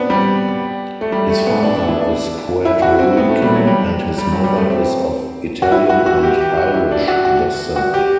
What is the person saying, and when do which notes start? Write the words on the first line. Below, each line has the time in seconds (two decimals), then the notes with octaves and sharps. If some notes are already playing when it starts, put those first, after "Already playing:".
His father is Puerto Rican and his mother is of Italian and Irish descent.
Already playing: B3 C4 D4
0.10 G3
1.01 A3
1.12 G3
1.29 A3
1.47 B3
1.63 D4
1.76 D4
1.88 E4
2.01 D4
2.65 E4
2.82 F#4
2.99 C4
3.17 B3
3.29 A3
3.42 G3
3.55 F#3
3.67 G3
4.18 G3
4.32 F#3
4.44 G3
4.57 A3
4.70 C4
5.62 F#4
5.72 E4
5.89 F#4
6.06 F#4
6.23 G4
6.41 G4
6.57 F#4
6.74 E4
6.91 D4
7.08 F#4
7.25 F#4
7.76 F#4
7.94 G4